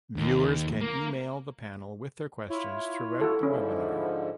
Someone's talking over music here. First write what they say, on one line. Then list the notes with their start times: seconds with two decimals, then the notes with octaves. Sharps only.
Viewers can email the panel with their questions throughout the webinar.
0.16 D#2
0.81 A#3
2.50 E4 F4 C#5
3.21 F#4 A4
3.43 G#2 D3 F3 C#4